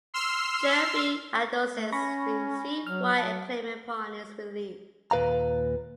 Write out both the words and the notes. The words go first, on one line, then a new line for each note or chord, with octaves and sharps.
"Germfree Adolescents" received wide acclaim upon its release.
C6 E6 F6 C7
A3
C#4 B5 C#6 A#6
F#3 F6
F#3 A5
D#2 A#2 B4 F5 A#5